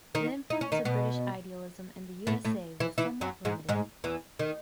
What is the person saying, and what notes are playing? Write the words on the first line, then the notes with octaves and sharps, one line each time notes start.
The influence of British idealism in the USA was somewhat limited.
D#3 D#4
D#4
C#4
D#3 D#4
B2 B3
A2 A3
A2 A3
E3 E4
E3 E4
F#2 F#3
G#2 G#3
G#2 G#3
E2 E3
D#3